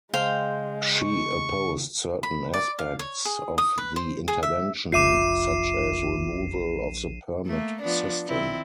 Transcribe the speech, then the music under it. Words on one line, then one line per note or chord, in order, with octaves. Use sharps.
She opposed certain aspects of the intervention such as removal of the permit system.
C#3 G#3 C5 F5 G5
C#6
B5
D5
F5
C#5
G#4
D#6
B4
C5
G#4
E5
F1 A#1 F4 E5 D6 C7 D#7 E7
A3 A#3
F3 B3 D4
D#3 C4 E4